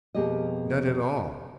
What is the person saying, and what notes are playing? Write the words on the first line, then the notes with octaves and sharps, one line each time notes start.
Not at all.
F2 B2 A#3 G4 G#4 D#5